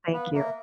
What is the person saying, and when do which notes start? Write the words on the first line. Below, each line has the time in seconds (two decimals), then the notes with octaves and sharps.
Thank you.
0.13 B3 B4 F5
0.34 A#3 A#4 E5